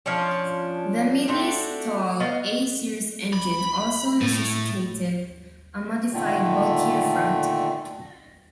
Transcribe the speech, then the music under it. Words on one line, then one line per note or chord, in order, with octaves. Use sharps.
The Mini's tall A-series engine also necessitated a modified, bulkier front.
F3 C#4 D4 C#5
A3 C4 D4 F#4
B3 D#5 F5
B5
A2
A#2 D3 D#3 A3